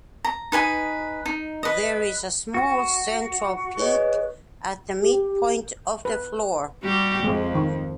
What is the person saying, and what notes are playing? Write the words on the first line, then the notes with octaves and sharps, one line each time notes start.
There is a small central peak at the midpoint of the floor.
A#5
D#4 B4 G#5 D#6
D#4
B4 D#5
F#4
G#4 B4 C#5 D#5
G4
B4
G3 F#4 G4
F2 G#3
D#3